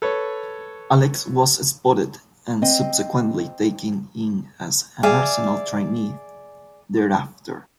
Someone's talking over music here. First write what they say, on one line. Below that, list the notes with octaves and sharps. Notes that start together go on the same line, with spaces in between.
Alex was spotted and subsequently taken in as an Arsenal trainee thereafter.
A4 B4 C#5
C4 D#5 G5
G#4 D5 E5 F5